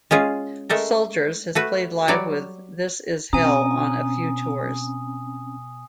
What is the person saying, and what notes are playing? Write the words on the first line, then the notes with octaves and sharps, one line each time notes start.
Soldiers has played live with This Is Hell on a few tours.
G#3 C#4 F4 G#4
G#3 A3 A4 A#4
A3 F#4 B4
F#3 G3 C#5 D5
B2 C4 C#4 G#5 A#5 D#6